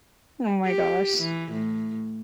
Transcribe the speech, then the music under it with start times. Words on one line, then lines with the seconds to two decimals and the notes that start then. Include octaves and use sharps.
Oh my gosh.
0.66 G4
1.18 E3
1.52 A2